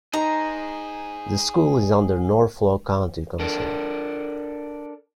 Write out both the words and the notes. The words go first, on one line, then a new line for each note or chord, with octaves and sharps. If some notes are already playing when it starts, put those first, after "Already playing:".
The school is under Norfolk County Council.
D#4 G#4 C5 A#5
D4 A4 A#4